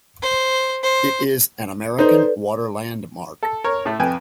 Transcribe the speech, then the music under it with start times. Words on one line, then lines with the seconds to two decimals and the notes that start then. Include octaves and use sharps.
It is an American Water Landmark.
0.22 C5
0.84 C5
1.99 D#4 A4 B4 C5 D5
3.43 A4
3.64 A#4 C#5
3.85 A2 A3
4.00 F2 B4 G5 G#5